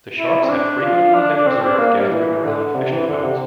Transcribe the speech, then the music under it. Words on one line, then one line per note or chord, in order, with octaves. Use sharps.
The sharks have frequently been observed gathering around fishing boats.
E4
C4
D4
F4
D4
D4
C4
D4
A#3
G3
E3
D3
C3
E3
D3
C3